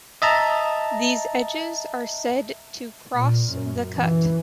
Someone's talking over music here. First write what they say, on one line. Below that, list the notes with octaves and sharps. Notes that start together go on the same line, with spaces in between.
These edges are said to cross the cut.
D#5 E5 A5 A#5
A#2
F#2
E3